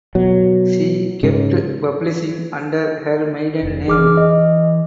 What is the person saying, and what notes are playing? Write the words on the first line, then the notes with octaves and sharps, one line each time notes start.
She kept publishing under her maiden name.
B2 F#3
G#2 C#3
F1
E3 G#4 D6 F6
D#5